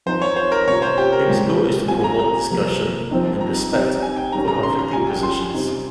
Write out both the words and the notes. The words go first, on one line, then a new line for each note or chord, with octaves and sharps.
Its goal is to promote discussion and respect for conflicting positions.
F3 C4 D#4 C5
C#5
C5
A#4
C3 G3 A#3 C#4 F4 C#5
C5
G4
A#4
A#2 G#3 C4 F4
G3 C4 F4 G#5
A#5
A#5
C3 F3 A#3
F3 C4 D#4
A#5
G3 C4 D#4
G#5
G5
D#3 G3 C#4 A#5
A#5
C6
A#5
G3 C#4 F4 G#5
G5
C6
C3 G3 C4 D#4